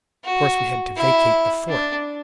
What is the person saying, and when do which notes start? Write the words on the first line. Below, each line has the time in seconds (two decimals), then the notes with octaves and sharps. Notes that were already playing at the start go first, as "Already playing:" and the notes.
Of course we had to vacate the fort.
0.25 F#4
0.97 E4
1.68 D4